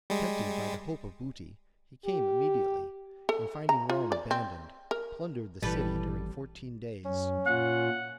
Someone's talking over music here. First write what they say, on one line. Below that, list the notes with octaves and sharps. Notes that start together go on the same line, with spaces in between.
Tempted by the hope of booty, he came immediately, and finding Rome abandoned, plundered the city during fourteen days.
G3 G#3
G4
A4
A#5
F4
D5
C4
A#4
G#1 A#2 E3 G3 A4 B4
F#2 C#4
A#2 F4 F#5